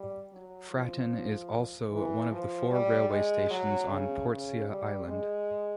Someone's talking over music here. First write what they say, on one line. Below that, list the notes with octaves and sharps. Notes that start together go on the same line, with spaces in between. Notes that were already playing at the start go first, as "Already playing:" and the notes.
Fratton is also one of the four railway stations on Portsea Island.
Already playing: G3
F#3
F3
E3
F3
G3
G#3
F#3
C#3
C#3
G3
G#3